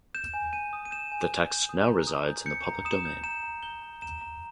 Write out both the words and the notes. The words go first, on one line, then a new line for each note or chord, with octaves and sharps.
The text now resides in the public domain.
G6 E7
G#5
G#5 D#7
D#6
D#7
G6 E7
G#5
G#5
G6
D#6
A#5
D#6
G6
G6 C#7
A#5
D#6 E7
G6
A#5 E7
A#5
G6 G7
A#5
A#5 E7
A#5